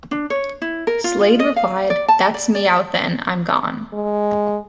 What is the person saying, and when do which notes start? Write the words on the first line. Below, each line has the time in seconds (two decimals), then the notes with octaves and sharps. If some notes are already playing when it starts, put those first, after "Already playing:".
Slade replied, That's me out then, I'm gone.
0.11 D4
0.30 C#5
0.62 E4
0.87 A#4
1.04 F4
1.21 F4
1.40 D#5
1.56 F5
1.90 D5
2.08 A5
2.34 D5
2.55 D5
3.93 G#3